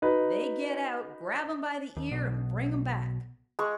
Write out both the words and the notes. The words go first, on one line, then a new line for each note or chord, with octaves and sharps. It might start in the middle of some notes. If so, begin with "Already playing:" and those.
"If they get out, grab them by the ear, and bring them back."
D#4 F#4 B4
D#2
B1 B2
G#3 C#6